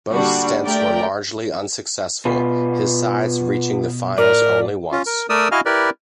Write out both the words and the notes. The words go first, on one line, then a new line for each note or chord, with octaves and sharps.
Both stints were largely unsuccessful, his sides reaching the finals only once.
A#2 D3 G3 D4 F#4
A3 G4 A#4 D5 G5
B2 B3 F4 B4
A2 A#4 D5
C#4 F4
A#4
A3 A#4 D5 D#6 E6
E4 F#4 D#5 F5 G#5 F6
E4 G4 A#4 B4 D5